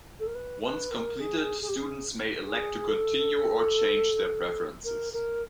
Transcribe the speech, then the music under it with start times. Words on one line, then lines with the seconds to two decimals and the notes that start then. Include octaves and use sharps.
Once completed, students may elect to continue or change their preferences.
0.19 A4
0.27 A#4
0.35 B4
0.63 B4
0.91 A#4
1.20 G#4
1.62 G#4
1.68 G4
1.76 G#4
2.46 G#4
2.89 A4
4.85 A#4
5.13 A#4